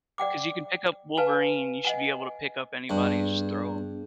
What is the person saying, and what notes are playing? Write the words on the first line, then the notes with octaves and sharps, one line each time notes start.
'cause you can pick up Wolverine, you should be able to pick up anybody and just throw 'em.
D5 F#5 G5 D6
B4 F5 G#5 A5
D#5 F#5 G#5
G2 B3 D4 G#4